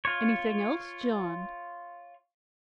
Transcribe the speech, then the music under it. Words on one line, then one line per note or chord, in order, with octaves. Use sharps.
"Anything else, John?"
F4 C#5